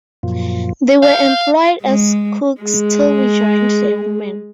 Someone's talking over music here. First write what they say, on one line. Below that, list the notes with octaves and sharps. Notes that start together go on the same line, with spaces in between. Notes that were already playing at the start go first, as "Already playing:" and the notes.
They were employed as cooks till we joined the women.
F#2 A#2 F3
F5 G6
G#3
G#3 G#4